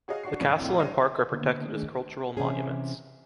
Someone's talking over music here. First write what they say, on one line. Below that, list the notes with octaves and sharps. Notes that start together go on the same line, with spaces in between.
The castle and park are protected as cultural monuments.
F#4 G#4 C#5 D#5 F5
D4 F#4 C#6 C7
A1 F#2 C#5 D5
F2 A#2 E3 A3 C4
G3 D4 C#5 F5 A#6 D#7
D3 A#3 B3
D#3 A3 D4 G#4
C3 E3 C#4 G#4